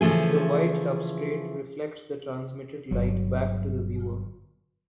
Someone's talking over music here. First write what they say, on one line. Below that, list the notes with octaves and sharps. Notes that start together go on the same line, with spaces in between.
The white substrate reflects the transmitted light back to the viewer.
C#3 E3 F3 A3 G#4
G1 F#3